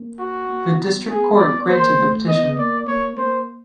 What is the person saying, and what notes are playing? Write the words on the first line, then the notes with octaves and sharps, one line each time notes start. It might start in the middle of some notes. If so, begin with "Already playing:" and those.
The District Court granted the petition.
Already playing: A#3
F#4
A#3
B3
G#4
D5
A#3 C5
A3
B3 D#5
A#3 D5
A#3 C#5
A#3 C5